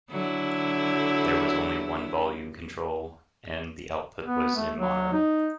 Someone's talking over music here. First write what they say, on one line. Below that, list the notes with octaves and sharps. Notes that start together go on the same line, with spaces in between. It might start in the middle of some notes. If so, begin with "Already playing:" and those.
There was only one volume control, and the output was in mono.
D3 F#3 E4
B3
A3
F#3
D#4